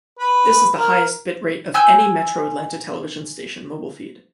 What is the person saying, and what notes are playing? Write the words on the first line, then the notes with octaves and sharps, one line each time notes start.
This is the highest bitrate of any Metro Atlanta television station mobile feed.
B4
A#4
G#5 E6 G6